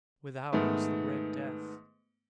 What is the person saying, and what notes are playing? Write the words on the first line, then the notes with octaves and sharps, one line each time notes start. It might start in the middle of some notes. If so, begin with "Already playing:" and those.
Without was the "Red Death."
G#2 D#3 A3 B3